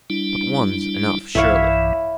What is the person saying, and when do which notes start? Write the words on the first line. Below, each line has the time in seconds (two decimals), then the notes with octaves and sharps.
But one's enough, surely.
0.10 G3 D4 E4
1.35 B1 G2 E3 E4 C#5 F5